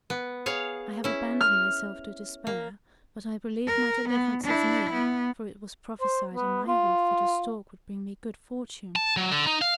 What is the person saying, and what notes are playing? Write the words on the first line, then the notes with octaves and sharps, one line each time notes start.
"I have abandoned myself to despair, but I believe my deliverance is near, for it was prophesied in my youth that a stork would bring me good fortune."
B3
G#4 C#5 F5
C#4 E4
F6
A#3
A#4
B3
D4 E4
B3
C5
B3
F4
A5
F#3
D3
D#4
F5